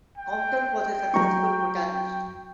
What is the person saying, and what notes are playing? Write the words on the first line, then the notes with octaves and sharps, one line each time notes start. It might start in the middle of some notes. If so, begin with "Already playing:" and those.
Compton was a successful botanist.
G5
F#3 A#5 C#6